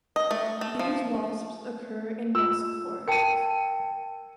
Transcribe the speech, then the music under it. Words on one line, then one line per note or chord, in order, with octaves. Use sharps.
These wasps occur in musk forests.
D#5
A3
A3
F3
F4 E6
A#4 G5 A5 C#7 D#7